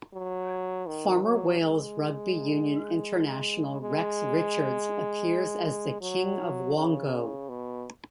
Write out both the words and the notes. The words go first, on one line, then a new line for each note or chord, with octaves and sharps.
Former Wales rugby union international Rex Richards appears as the King of Wongo.
F#3
D#3
F#3
G#3
G#3
F#3
C#3
B2